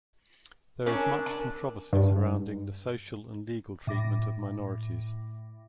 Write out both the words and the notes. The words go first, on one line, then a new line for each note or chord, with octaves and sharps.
There is much controversy surrounding the social and legal treatment of minorities.
C#4 D4 A#4
D4
G2
A2 D6 A#6